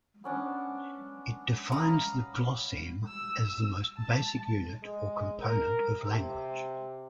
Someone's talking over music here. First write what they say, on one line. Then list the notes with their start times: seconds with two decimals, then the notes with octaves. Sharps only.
It defines the "glosseme" as the most basic unit or component of language.
0.24 B3 C#4 D4
1.72 F5 A#5 B5 D#6
3.08 E6
3.98 A5
4.83 G#3
5.41 A#4
5.99 C3